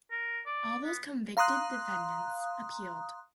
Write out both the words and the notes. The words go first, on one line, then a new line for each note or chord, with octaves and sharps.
All those convicted defendants appealed.
A#4
D5
B3
F5 A#5 C6 D#6 F#6